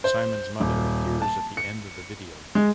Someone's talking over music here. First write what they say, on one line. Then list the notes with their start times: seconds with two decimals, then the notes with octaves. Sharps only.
Simon's mother appears at the end of the video.
0.04 C5
0.60 D#1
1.22 A5
1.57 C#7
2.55 G#3